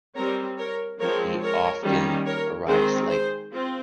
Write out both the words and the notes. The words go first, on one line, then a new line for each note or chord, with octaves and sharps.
He often arrives late.
G3 C4 A#4 C#5
A#4 C#5
F3 G#3 C4 A#4 C#5
A#4 C#5
D#3 G3 A#3 C#4
A#4 C#5
D#3 G#3 C4 G#4 C5
G#4 C5
C4 F4